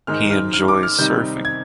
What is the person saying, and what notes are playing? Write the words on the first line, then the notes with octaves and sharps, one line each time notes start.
He enjoys surfing.
G#2 D#3 G#3 D#4 F6
F6
F6
D6
F6
C3 D#3 G3 C4 D#4 G6
G#6